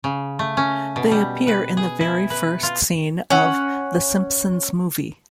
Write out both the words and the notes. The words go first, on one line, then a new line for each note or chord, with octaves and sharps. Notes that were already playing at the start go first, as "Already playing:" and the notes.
They appear in the very first scene of "The Simpsons Movie".
C#3
A3
C#4
B2
G3
B4
G#4
E4
B4
F4
C#4 F#5